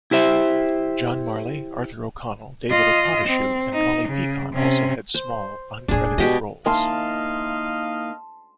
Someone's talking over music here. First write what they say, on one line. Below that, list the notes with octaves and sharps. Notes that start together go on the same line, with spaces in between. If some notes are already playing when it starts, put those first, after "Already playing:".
John Marley, Arthur O'Connell, David Opatoshu, and Molly Picon also had small, uncredited roles.
E4 G4 C5 E5
F4 D#5
C4
D#4
C#3
C3 C#4
C5
E1 A2 D4 G#4
B2 G#3 G4 D#5
A#3 D#4 E4 D#5 F5 A5 C6